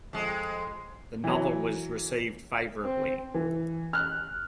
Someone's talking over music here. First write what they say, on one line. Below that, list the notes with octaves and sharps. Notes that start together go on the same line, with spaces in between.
The novel was received favorably.
F2 G#3
E3 F#3
C4
E3
F6 F#6